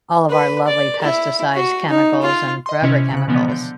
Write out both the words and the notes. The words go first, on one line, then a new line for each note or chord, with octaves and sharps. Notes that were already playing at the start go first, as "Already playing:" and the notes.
all of our lovely pesticides, chemicals, and forever chemicals.
B4
D5
E4
F#4
D#4
F4
D#5 C6
C3 C#4 E4
C#3 F#6
B2 E3 F3 G#3 B3
D3 G6